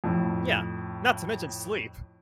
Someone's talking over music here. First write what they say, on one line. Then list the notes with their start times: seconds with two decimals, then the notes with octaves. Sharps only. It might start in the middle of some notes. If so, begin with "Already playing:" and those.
Yeah, not to mention sleep.
0.04 F2 A2